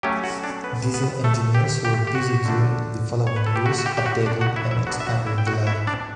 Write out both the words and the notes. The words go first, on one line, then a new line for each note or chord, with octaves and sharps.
Diesel engineers were busy during the following years updating and expanding the line.
F#3 A3 C#4 G4 G5
F#4 F#5
D4 D5
B3 B4
B3 B4
A3 A4
G4
G4
G4
F#4
D3 A3 D4
C#5
B4
A4
G4
F#4
F#4
G4
G4
F#4
D4 D5
F#4 F#5
E4 E5
E4 E5
F#3 B3 D4 F#4 F#5
E5
F#4 F#5
E4 E5
G5
F#4 F#5
E4 E5
D4 D5